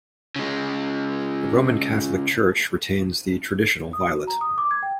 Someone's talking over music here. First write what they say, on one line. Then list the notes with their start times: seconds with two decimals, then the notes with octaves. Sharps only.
The Roman Catholic Church retains the traditional violet.
0.36 C#3 G#3
3.93 D#6
4.08 F#4
4.27 A#5
4.41 D#6
4.58 D6
4.71 G#6
4.83 G5